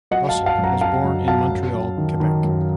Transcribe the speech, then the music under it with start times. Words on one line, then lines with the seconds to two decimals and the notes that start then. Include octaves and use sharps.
Russel was born in Montreal, Quebec.
0.11 F#3 D#5 F#5
0.29 F5 A5
0.35 F#2
0.46 F5 A5
0.58 F#2
0.64 F#5 A#5
0.81 F#3 F5 A5
1.04 F#2
1.28 F#3 F5 A5
1.51 F#2
1.74 F#2
1.97 D#3
2.20 D#3
2.44 F#2